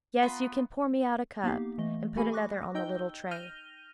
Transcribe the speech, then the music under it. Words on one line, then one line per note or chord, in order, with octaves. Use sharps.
Yes, you can pour me out a cup--and put another on the little tray.
B3 F4 A#5 B5
A#3 B3 D#4 G4 F5
E3 A3 D#5
A3 G4 A4 G#5 B5
C#6 D6 F#6 A#6
D#4 D#5 G5 E6 G6 G7
F6 G6 A#6 D#7 F7 G7